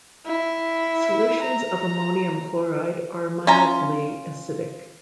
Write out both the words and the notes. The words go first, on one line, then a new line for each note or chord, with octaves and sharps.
Solutions of ammonium chloride are mildly acidic.
E4
A#5
C#4 F4 A#5